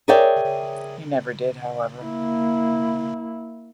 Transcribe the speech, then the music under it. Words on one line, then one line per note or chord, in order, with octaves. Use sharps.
He never did, however.
G#4 A#4 C#5 D5 E5 G5
A#3 E4